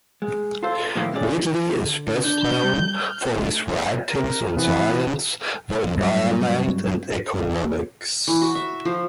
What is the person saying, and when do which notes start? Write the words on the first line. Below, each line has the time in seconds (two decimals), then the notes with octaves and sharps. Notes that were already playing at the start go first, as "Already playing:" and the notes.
Ridley is best known for his writings on science, the environment, and economics.
0.22 G#3
0.63 F4 A4 C5
0.95 A2 D#3 F3 A#3 E4 G4
1.11 A#2 D3 G#3 A#3 C#4 D5
1.85 D3
2.25 D4 G6
2.64 G3
3.00 F6
3.33 A3
4.10 A#4
4.57 C3 E3 B3
5.97 G2 F#3
8.28 E3
8.42 F#4
8.55 E5
8.85 F3